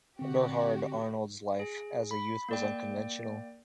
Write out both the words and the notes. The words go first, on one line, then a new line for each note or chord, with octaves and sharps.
Eberhard Arnold's life as a youth was unconventional.
D3 C4 F#4 G4
G#4
B5
A#3 D5 G5